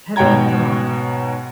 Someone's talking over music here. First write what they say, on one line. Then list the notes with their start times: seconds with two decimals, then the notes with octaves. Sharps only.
Eller in command.
0.16 G#2 B2 C#5 G5 A#5 G#6